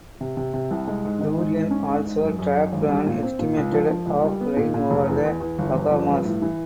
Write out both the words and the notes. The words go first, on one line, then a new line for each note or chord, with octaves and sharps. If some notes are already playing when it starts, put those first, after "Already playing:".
Dorian also dropped an estimated of rain over the Bahamas.
C3
C3
C3
C2
G#3
G#2
D#3
G#2
G#2
C#4
G#2
G#2
F#2
F#2
F#2
G#1
G3
A#2
C4
A#2
C#2
F3
F3
C#2
G3
B3
A#2
A#2
F1
E2
E2
E2
G1
G1
F3
G2
A2
E3